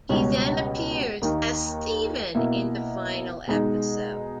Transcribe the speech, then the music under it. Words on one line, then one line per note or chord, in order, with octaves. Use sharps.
He then appears as Steven in the final episode.
C#2 B2 G3 C#4
D#2 D#3 A#3 D#4
B2 A#3 E4
B2 G#3 D#4